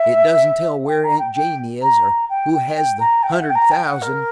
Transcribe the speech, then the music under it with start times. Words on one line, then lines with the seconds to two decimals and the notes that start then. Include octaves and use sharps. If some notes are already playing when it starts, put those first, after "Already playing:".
It doesn't tell where Aunt Jane is, or who has the hundred thousand.
Already playing: E5
0.87 G5
1.03 A#5
1.18 G5
1.34 G5
1.82 A#5
2.29 G5
2.53 G5
2.75 G5
2.99 A#5
3.22 G5
3.32 E5
3.39 F#5
3.49 G5
3.55 A#5
3.71 G5
3.86 F#5
4.01 A#4